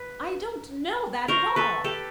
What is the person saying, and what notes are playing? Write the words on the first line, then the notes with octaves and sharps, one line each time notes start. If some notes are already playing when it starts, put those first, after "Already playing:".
I don't know that at all!
Already playing: B4
A#4 C5 C#6
A4 B4
G4 A4